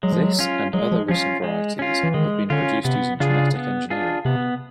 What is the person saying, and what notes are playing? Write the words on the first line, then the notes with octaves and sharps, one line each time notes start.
This and other recent varieties have been produced using genetic engineering.
F#3 G#3
F3
F#3
C#4 F4
F#3 G#3
F3
F3 C#4 F4
G#3
C#4 F4
E3
D#3 G#3
D3 C#4 F4
C3 B3
C#3 D4 F4 G#4
B3
D4 F4 G#4
C3 B3